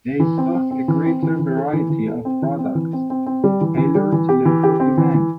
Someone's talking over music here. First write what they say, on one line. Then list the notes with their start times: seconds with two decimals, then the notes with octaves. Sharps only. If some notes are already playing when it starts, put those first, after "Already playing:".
They stock a greater variety of products, tailored to local demand.
0.20 E3
0.38 C4
0.54 C4
0.71 C4
0.88 E3
1.06 C4
1.22 E3
1.39 E3
1.57 A4
1.73 E3
1.90 E3
2.07 A4
2.25 C4
2.42 E3
2.59 C4
2.75 E3
2.93 C4
3.10 C4
3.26 C4
3.44 G3
3.61 E3
3.77 E3
3.95 G3
4.12 E3
4.29 G4
4.45 E3
4.63 G4
4.80 C4
4.97 E3
5.14 E3